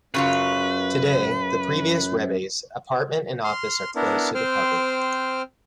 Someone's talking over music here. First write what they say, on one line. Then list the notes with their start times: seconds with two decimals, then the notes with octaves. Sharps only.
Today, the previous Rebbe's apartment and office are closed to the public.
0.14 F#2 C#3 F#3 F4 B4
3.44 C6 F6
3.96 B3 D4 E4 A#4
4.35 C4 C5 G5 F6